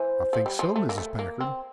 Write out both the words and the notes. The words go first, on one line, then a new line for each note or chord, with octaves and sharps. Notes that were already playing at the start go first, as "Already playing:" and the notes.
"I think so, Mrs. Packard."
Already playing: E3 C5
F3
G3
F3
A3
A#3
A3
A#3
C4